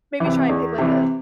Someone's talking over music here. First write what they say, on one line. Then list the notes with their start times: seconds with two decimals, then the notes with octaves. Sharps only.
maybe try and pick, like, a
0.20 C3 E3
0.49 E2
0.78 C3 E3